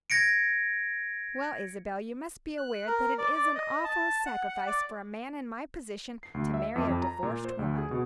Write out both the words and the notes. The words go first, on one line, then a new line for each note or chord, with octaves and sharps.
"Well, Isabel, you must be aware that it is an awful sacrifice for a man in my position to marry a divorced woman."
G#6 A#6 C#7 D7
F#6
A#4
D5
D5
D#5
A5
F#5
F#5
D5
C7
D2
E5
F2
F2
A#5
A#2
C5
D2
G#4
B2